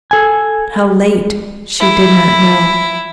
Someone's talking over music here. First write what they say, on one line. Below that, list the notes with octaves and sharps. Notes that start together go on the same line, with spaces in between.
How late she did not know.
A4 G#5
E4